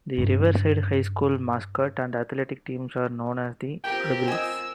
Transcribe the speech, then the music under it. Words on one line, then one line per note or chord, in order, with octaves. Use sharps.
The Riverside High School mascot and athletic teams are known as "the Rebels".
G2 C#3
C4 F4 G4 A#4 G5
D#5 G#5 E6